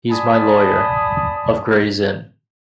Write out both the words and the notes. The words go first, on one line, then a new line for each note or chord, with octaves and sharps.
He’s my lawyer, of Gray’s Inn.
D5 G#5 A5 B5 D#6